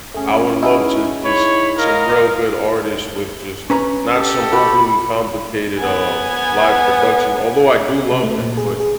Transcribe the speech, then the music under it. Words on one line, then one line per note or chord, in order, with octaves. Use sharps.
I would love to just Some real good artists with just not some overly complicated, uh, live production, although I do love that, but
A3 C#4 G#4
D#4 E4 G#4
C#5 B5
A#4 D#5 F5
F5
C#4 B4 A#5
G4 A4
F#4 B5
B3 G#5
C3
A3
A#2
G#4
G#4